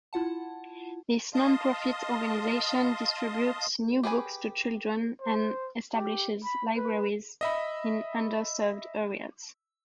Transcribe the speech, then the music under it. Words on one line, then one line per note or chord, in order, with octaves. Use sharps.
This non-profit organization distributes new books to children and establishes libraries in under-served areas.
E4 F4 F#5 A5
D#5 F5 A5 C6 D#6
G4 G#4 B4 G#5
C5
G4
B5
B4
D#5 E5 B5